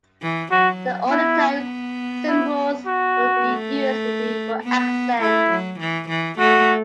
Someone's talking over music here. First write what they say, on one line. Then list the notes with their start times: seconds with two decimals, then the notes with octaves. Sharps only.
The only time cymbals would be used would be for accent.
0.22 E3
0.51 F#3 F#4
1.10 B3 E4
2.28 E4
2.87 F#4
3.45 A3
4.63 B3
5.21 A3 E4
5.51 F#3
5.80 E3
6.09 E3
6.39 A3 F#4